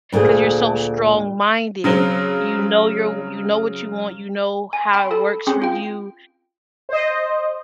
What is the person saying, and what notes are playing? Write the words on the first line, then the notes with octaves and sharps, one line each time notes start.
'cause you're so strong-minded, you know you're w you know what you want, you know how it works for you
D2 A#2 A3 G#4
C#3 F#3 C4
G#5
G5 B5 C6
A4 A5 B5
C4 C#4 G#4 C6
F4 G5
C5 D#5